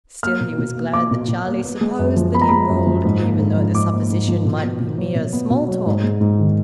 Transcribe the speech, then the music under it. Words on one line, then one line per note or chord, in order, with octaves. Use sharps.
Still he was glad that Charlie supposed that he ruled, even though the supposition might be mere small-talk.
A#3 F6
B2
B2
A#3
A#3 D6
B2
B2
A#3
B3
G#3
F#2
F3
B3 B5
A#5
G#3 B5
F#2
F3
G#2
A#3
G#2
F3
G#2 D6
A#3
G#2
F3
B2
B3
B2
F#3
B2
B3
B2
F#3
G#2
G#3
G#2
D#3